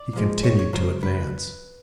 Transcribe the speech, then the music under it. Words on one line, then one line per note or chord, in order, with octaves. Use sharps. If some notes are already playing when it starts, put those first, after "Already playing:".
He continued to advance.
Already playing: D5
A#2 F3 G#3
C#5
C#5
C#2 C#3 F#3 C5
B4